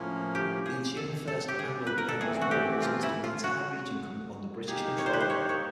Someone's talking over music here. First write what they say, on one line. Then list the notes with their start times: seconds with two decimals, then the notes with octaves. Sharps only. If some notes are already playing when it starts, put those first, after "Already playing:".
The ensuing First Anglo-Burmese War resulted in the entire region coming under British control.
Already playing: A2 F3 A#3 C#4
0.35 G4
0.66 G#4
0.97 A4
1.27 A4
1.48 G4
1.59 G#4
1.87 B4
1.98 A#4
2.08 A4
2.21 E3 A3 C4 G#4
2.41 F#4
2.51 G4
2.82 F4
3.03 E4
3.24 F4
3.44 F#4
4.68 A#3 D#4 G4 G#4
4.98 C#5
5.06 C5
5.13 B4
5.20 C5
5.30 C#5
5.49 C#5